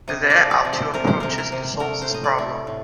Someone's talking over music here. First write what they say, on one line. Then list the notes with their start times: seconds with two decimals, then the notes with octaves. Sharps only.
There are two approaches to solve this problem.
0.08 C3 D#5
0.30 D5
0.37 F3
0.51 D5
0.65 C3
0.73 C5
0.94 C3 A#4
1.07 C5
1.20 C3 A#4
1.38 A#4
1.52 C3
1.80 A3 A#4
2.02 C5
2.10 A2 D#5
2.24 D5
2.38 A3
2.67 A2